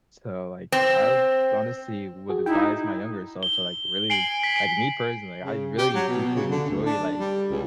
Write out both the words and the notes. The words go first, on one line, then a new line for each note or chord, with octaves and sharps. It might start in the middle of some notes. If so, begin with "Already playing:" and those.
so, like, I w honestly would advise my younger self to, like, really like, me personally, I really do enjoy, like,
C4
F#4 G#4
D#4 E4 G5
G7
G#5 C7 D7 F#7
B6
D7
C#3
G4
F#3
B2
C#3
D3
D2
D4
G3
C#2